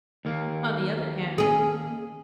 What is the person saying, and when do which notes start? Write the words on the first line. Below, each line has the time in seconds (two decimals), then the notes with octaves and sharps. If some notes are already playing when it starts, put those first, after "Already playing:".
On the other hand.
0.25 D#2 A#3
1.38 C#4 G#4